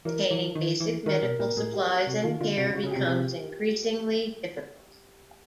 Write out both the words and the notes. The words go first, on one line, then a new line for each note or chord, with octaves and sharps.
Attaining basic medical supplies and care becomes increasingly difficult.
E3 A#4
E3
D#3
E3
D#3 A#4
B2 A#4
A#2 A#4
A2 G#4
G4
F#4
C3 F#4
D#3 F4
D3 F4
C3 F#4
C#3
F#4
C#3 G#4
G4
C3
C3